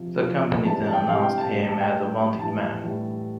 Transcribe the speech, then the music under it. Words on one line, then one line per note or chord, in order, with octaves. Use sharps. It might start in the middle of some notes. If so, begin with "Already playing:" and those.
The company then announced him as a wanted man.
Already playing: C3 F3
C3 F3
C3 E3 G3 A5
A5
G5
C3 E3 G3 F5
G5
A5
A2 G3
A5
G5
A2 G3
A2 E3 G3 A5
A2 E3 G3